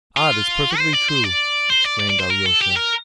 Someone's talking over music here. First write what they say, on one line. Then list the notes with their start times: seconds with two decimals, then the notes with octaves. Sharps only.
"Ah, that's perfectly true!" exclaimed Alyosha.
0.17 F4
0.78 C5
0.93 D5
1.08 C5
1.24 D5
1.70 C5
1.85 D5
2.00 D5
2.10 D5
2.20 C5
2.31 A#4
2.46 A4
2.61 G4
2.77 A#4